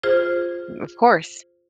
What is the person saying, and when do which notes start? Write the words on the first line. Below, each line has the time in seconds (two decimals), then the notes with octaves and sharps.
Of course.
0.03 F4 G#4 C5